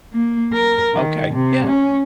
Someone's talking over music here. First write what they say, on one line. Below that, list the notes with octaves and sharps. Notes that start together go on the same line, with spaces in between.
Okay, yeah.
A#3
A#4
D#3
C3
C#4